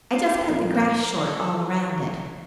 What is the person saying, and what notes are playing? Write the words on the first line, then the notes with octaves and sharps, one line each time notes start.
I just cut the grass short all around it.
F4
G4
A4
A#2 F3 C4 A#4
C5
A#4
A4